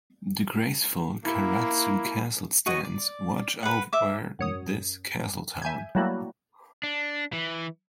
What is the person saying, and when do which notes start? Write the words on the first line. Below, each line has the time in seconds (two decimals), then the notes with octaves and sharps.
The graceful Karatsu Castle stands watch over this castle town.
1.25 A#3 E4
2.66 F#4 D#5 C#6
2.85 D5
3.63 B4 F#5
3.93 E5 D6
4.39 F#2 C#5 D#6
5.62 E5 G#5 G6 G#6
5.95 F#3 G3 A3 A#3 E4 F#4
6.83 D4
7.33 E3